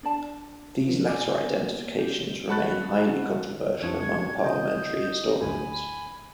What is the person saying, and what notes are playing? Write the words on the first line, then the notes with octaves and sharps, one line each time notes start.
These latter identifications remain highly controversial among parliamentary historians.
D4 D5 A5
D#3 F3
D5 G#5
A#3 B3
G4
F#5 A5 B5 C#6 F#6 A6
F2 E3 F3 D4 C#6 G#6
C3 D#5 G6
D2 G#2 G#5 B5